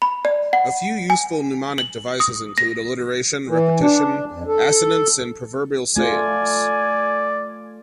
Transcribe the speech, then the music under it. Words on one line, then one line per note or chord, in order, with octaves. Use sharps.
A few useful mnemonic devices include alliteration, repetition, assonance, and proverbial sayings.
B5
D5
F#5
G#5
F#7
D#6
A#6
E3
D4
F2
A4
A3 F4 D5 G#5